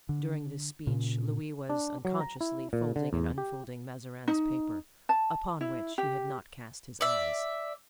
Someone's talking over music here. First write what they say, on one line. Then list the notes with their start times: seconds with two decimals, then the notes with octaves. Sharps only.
During this speech, Louis was, unconsciously, folding and unfolding Mazarin's paper, upon which he had not cast his eyes.
0.09 D3
0.87 A#2 C#3
1.70 D4
2.05 F#3
2.21 A#5
2.41 E4
2.73 A#2
2.96 D3
3.13 E2
3.38 G4
4.28 D#4
5.09 A5
5.61 E4
5.98 G4
7.01 D5 E5